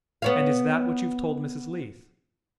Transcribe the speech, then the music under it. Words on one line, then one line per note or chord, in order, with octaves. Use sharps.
"And is THAT what you've told Mrs. Leath?"
B3 C#5 F5